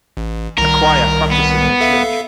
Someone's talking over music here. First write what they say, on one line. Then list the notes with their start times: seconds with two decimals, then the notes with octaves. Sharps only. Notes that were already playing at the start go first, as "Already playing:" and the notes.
A choir practicing in a church.
0.17 A1
0.58 C2 D#3 A#4
1.31 B3
1.81 A4 E5 F5